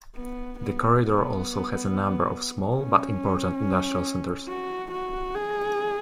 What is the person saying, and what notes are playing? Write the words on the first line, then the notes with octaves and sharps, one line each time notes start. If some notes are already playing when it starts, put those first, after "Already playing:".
The corridor also has a number of small but important industrial centers.
B3
B3
B3
C#4
F#4
F#4
G#4